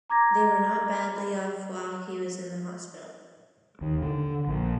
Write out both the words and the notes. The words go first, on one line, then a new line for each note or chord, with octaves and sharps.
They were not badly off whilst he was in the hospital.
A#5 D6 G#6 A#6
D#2
D3
A#1